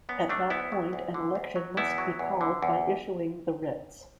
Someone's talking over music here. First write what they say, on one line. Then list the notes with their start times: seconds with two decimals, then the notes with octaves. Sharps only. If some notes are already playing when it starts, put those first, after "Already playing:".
At that point, an election must be called by issuing the writs.
0.09 F#2 B3
0.29 F#3 A3 D4
0.50 D2 B3 E4
0.72 F#3
0.93 D2
1.14 D3
1.35 D2
1.56 F#3
1.77 E2 B3 E4
1.98 F#3
2.19 E2
2.41 D3
2.63 E2